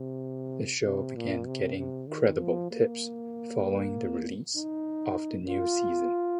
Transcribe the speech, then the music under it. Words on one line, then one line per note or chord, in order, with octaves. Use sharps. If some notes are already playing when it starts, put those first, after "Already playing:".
The show began getting "credible tips" following the release of the new season.
Already playing: C3
C3
A#2
C3
C3
D#3
F3
A#3
D#4
F4